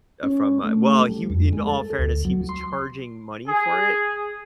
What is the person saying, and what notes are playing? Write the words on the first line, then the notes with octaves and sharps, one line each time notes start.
uh uh, from, uh well, he w in all fairness, he was charging money for it,
C#4
A3
G3
F2
G#3
A4
D2
F#3
C6
G#4